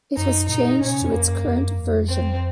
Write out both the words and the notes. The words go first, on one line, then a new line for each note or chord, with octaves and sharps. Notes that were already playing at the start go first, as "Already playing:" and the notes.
It has changed to its current version.
F#2 D#4
A#2 D#4
A#2 C#4
C3
F2
F2 A#3
F#2
F2
F#2
F2
C4